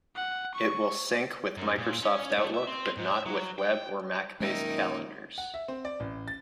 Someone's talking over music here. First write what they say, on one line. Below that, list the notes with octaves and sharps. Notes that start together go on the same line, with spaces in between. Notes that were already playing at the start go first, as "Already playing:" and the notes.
It will sync with Microsoft Outlook, but not with Web or Mac based calendars.
F#5
C#6
F#2
A#2
C#4
A3
E5
C4
G#2
E5
F#3
G5
F#2 A#2 D#3 G#3 D#4 A#4 E5
F#5
E5
C4
D5
A1
A6